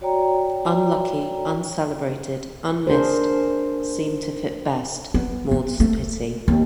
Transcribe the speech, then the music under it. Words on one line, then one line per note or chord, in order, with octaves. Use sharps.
Unlucky Uncelebrated Unmissed seem to fit best, more's the pity.
F#4 C#5 D5 G5 A#5
D4 G#4 A#4 C5
B3
B3
A3
D#2